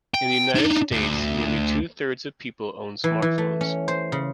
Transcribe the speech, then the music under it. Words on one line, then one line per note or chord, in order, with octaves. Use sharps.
In the United States, nearly two-thirds of people own smartphones.
G5
D4 D#4
D2
E3
E3
A3
C#4
C5
C#3